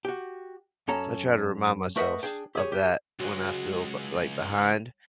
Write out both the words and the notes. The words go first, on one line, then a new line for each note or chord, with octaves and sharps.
I try to remind myself of that when I feel, b like, behind
F#4 G4
F#2 C#4 A4 A#5
A3 A#4 B4 D#5 E5 F#5
D4 G#4 G5
G4 G#4 C#5
G4
C#2 F#3 G#3